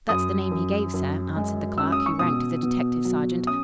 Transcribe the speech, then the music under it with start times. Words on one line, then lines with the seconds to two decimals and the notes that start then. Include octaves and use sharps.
"That's the name he gave, sir," answered the clerk, who ranked as a detective-sergeant.
0.09 F#2 D#6
0.51 F#2
0.94 F#2
1.36 G#3
1.78 C#4 E6
1.92 D#6
2.06 C#6
2.19 B2 D#6
2.63 B2
3.05 F#3
3.47 C#4 D#6